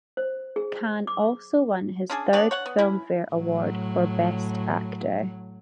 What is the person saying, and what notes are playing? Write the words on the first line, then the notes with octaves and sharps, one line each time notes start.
Khan also won his third Filmfare Award for Best Actor.
C5
G#4
D6
C#4 D4 G#4
B3 D4 C#5 D5
C#5 F#5
B3
C#4 E4
A2 F#3